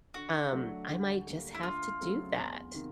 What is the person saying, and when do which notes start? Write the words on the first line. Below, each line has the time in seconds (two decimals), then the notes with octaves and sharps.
um, I might just have to do that.
0.14 D3 F#4
0.52 F#3 A3 D4
0.89 D2
1.26 D3 G3 A#3
1.54 E4
1.62 D2 F4
2.00 C#3 F#3 A3 C4
2.37 E2
2.74 C3 D#3